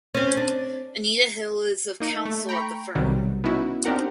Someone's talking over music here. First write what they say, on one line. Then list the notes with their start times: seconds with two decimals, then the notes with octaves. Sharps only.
Anita Hill is of counsel at the firm.
0.15 C4 C#4
0.37 D4
2.00 A#3 D#4
2.25 A3
2.49 G5 A#5 B5 C#6
2.95 B1 C3 D#3 F#3 G3
3.44 B3 C#4 D#4 E4 F#4
3.85 C4 D4 D#4 G4 A#4 F#5